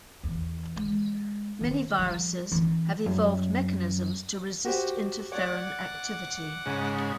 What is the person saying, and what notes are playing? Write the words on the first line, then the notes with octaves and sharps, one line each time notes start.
Many viruses have evolved mechanisms to resist interferon activity.
E2
G#3
D#3 D#4
F3 G3
E3 C#4
F#2
F#4 G4 C5
C#5 D5 F#5 D6
G#2 C#3